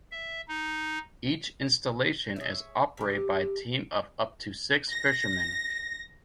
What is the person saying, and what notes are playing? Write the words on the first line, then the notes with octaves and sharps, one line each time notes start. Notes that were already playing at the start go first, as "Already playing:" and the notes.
Each installation is operated by a team of up to six fishermen.
E5
D#4
G#4 C#5 E5
C3 G4
A#6